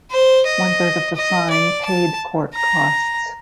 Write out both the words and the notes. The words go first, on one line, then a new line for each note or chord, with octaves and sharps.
One-third of the fine paid court costs.
C5
D#5
D#5
D5
A5
A#5